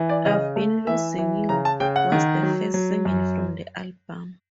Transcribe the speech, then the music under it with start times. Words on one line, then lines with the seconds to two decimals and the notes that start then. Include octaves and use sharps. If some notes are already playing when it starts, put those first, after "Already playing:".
"I've Been Losing You" was the first single from the album.
Already playing: E3
0.09 D5
0.25 C#3 D#5
0.56 A3
0.87 E3 E5
1.18 E3
1.49 C#3 A#5
1.65 A5
1.80 C#3 G5
1.96 F#5
2.12 D#3
2.43 F#3
2.74 F#3
3.05 F#2